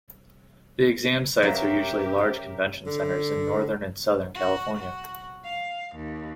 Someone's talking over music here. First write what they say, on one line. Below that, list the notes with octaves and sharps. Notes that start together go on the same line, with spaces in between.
The exam sites are usually large convention centers in Northern and Southern California.
C#3 F#3 G4 A#4 E5
D3
F#4
F#4
F5
D#2